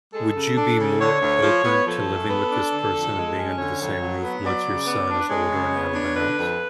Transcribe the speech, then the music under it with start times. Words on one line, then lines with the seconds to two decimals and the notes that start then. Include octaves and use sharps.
Would you be more open to living with this person and being under the same roof once your son is older and out of the house?
0.14 G#3 A4
0.36 C#3
0.57 D4
0.79 C#3
1.00 D3 C#5
1.21 D2
1.43 F3
1.65 B3
1.86 F3 A4
2.08 F#2
2.29 B3
2.51 D4
2.73 D3
2.94 F2
3.15 G#3
3.37 C#4
3.58 D3 C#5
3.80 F2
4.02 F#3
4.23 B3
4.44 F#3 D5
4.66 C#3
4.87 B3
5.08 D4
5.20 B4
5.30 G#3 C#5
5.52 C#3
5.74 B3
5.95 D4
6.16 D3 B4
6.38 F2